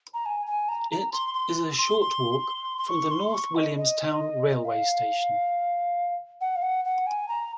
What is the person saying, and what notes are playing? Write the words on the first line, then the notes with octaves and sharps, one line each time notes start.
It is a short walk from the North Williamstown railway station.
A#5
G#5
G#5
A#5
A#5
C6
C6
C6
C6
C6
C#6
C6
C6
C#6
D#5
D#5
F5
F#5
F5
F#5
F#5
G#5
A#5